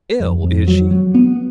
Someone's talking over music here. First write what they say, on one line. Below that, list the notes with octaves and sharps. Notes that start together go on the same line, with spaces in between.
'Ill! is she?
F2
F2
F#3
F#3
B3